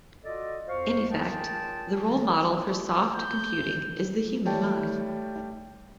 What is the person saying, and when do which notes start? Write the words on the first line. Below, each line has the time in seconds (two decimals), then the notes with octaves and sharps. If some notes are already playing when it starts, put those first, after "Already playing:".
In effect, the role model for soft computing is the human mind.
0.24 F4 F#4 A4 D5 D#5
0.68 F2 C5 F5 C#6
1.10 F4 G#4 A#4 C#5 G5 A5
3.15 G6
4.45 G3 A3 C#5 G5 A5